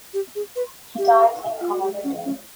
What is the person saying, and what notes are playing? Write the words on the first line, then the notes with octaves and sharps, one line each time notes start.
He died in Honolulu.
G4
G#4
B4
G4
F4
F#4
G4
C#4
C#4